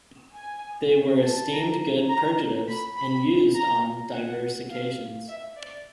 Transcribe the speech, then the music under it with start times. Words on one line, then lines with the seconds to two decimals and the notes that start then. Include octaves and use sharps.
They were esteemed good purgatives, and used on diverse occasions.
0.36 G#5
1.23 A5
1.52 A#5
2.09 A#5
2.68 B5
2.97 B5
3.55 A#5
4.13 F#5
4.71 F5
5.29 E5
5.57 D5